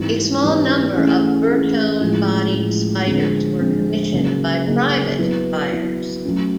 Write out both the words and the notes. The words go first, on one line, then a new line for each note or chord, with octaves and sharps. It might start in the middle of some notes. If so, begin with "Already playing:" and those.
A small number of Bertone bodied spiders were commissioned by private buyers.
Already playing: G#2 E3 G3 C4 E4
G#2 E3 G3 C4 E4
E3 A3 C#4 E4 G#4
E3 A3 C#4 E4 G#4
A2 F3 G#3
A2 F3 G#3
D3 F3 G#3 C4
D3 F3 G#3 C4
C#3 F#3 A#3 D#4 G#4
C#3 F#3 A#3 D#4 G#4
F#3 B3 E4
F#3 B3 E4
F#3 A3 C#4